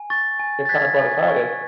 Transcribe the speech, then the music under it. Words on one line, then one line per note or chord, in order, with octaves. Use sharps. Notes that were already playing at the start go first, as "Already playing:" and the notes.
it's kinda brought aside is
Already playing: G#5
C#6 A6
G#5
A6
F#6 G#6 B6
G#5
C#6